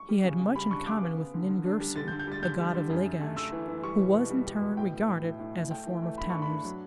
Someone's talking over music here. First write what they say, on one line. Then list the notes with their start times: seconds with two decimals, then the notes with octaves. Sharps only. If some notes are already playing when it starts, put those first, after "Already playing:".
He had much in common with Nin-Girsu, a god of Lagash, who was in turn regarded as a form of Tammuz.
Already playing: C#6
0.09 G3
0.24 C#3
0.40 C#3
0.56 G3 B5
0.71 D4 C#6
0.86 C#3 D6
1.02 B3
1.18 B3
1.34 D3
1.49 D3
1.65 D4
1.80 G3
1.96 D3 A6
2.08 G6
2.12 D3
2.19 G6
2.27 G3 A6
2.43 D3 G6
2.59 G3
2.74 D3
2.90 F#2
3.05 F#2
3.21 A3
3.36 A3 E6
3.52 E3
3.68 E3
3.83 G3 C#6
3.99 B2
4.15 B2
4.30 G3
4.46 G3
4.61 B2
4.77 A2 G5
4.93 A2
5.08 A2
5.24 A2
5.39 A2
5.55 A2
5.71 A3 G5
5.86 E3
6.02 A3
6.18 G2 B5
6.30 D4 C#6
6.42 B5
6.49 D4
6.64 F#3